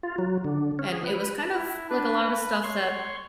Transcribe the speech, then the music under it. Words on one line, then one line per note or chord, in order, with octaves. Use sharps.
and it was kind of, like a lot of stuff that,
F4
F#3
D3
C#4
G#4
B4
E4
D4 B4
B4
C#5 C6 C#6